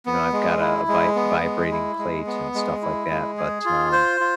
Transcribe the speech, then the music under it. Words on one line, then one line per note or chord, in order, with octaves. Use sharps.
you know, I've got a vi vibrating plate and stuff like that, but, um
B3
G#3
E4
G#3
B3
G#3
E4
G#3
B3
G#3
E4
G#3
G#4
F4
C5
F4